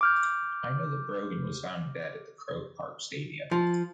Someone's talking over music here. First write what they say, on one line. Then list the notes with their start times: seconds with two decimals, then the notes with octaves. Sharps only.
I know that Brogan was found dead at the Croke Park stadium.
0.01 D6 F6 G6
3.51 F3